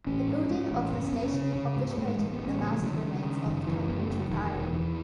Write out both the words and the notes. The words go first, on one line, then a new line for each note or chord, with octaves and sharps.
The building of the station obliterated the last remains of Tonbridge Priory.
A1 C#4
G#2
G#2
A1
F#1 B3
C#4
F#1 B3
C#4
C#3
C#3
G#2 B3
B3
G#2 A3
G#3
A1 G#3
A3
B3
A1
C#4
C#3 B3
A3
E3
C#3 F#3
D#3
C#3
C#3
F#1 D#3
F#2 E3
F#1 B3
A3
F#1
F#3
E1 D#3
E1
E2 E3